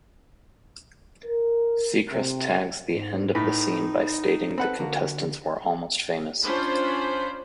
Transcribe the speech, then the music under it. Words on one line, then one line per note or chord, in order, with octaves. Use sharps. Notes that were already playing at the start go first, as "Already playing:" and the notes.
Seacrest tags the end of the scene by stating the contestants were almost famous.
A#4
C3
G#2
A2 D#4 B4
C4 A4 B4 F#5 B5
D3 A#3 F#4
C#4 D4 F4 C5 B5